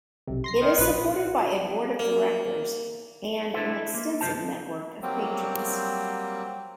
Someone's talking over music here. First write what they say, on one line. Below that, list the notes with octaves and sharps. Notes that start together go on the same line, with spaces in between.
It is supported by a board of directors and an extensive network of patrons.
B1 C3
C6 A#6 C7
D#3
A#1 F3 B4
A#3
D4 E4 A4 B4 C5 E5
A#3
G2 C#3 F4 C5 A5
F#3 G3 A#3 C4